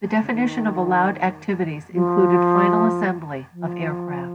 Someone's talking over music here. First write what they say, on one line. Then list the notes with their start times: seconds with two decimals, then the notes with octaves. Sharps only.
The definition of allowed activities included final assembly of aircraft.
0.21 C#3
0.31 D#3
1.92 F3
3.51 F3